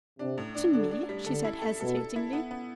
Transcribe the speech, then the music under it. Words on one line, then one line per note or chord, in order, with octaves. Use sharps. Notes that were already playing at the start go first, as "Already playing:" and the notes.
"To me?" she said, hesitatingly.
C3 D4
A2
D4
D3 D4
D4
G3
D3 A4
E4
A4
B2 A4
A4
E4
B3
B3